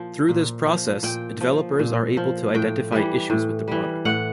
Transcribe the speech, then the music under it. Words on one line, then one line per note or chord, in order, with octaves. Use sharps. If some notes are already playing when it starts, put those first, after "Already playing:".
Through this process, developers are able to identify issues with the product.
Already playing: A#2 F3
A#2
F3
A#2 G5
F3
A#2
F3
A2 G5
E3 G3
A2
E3 G3
A2 F#5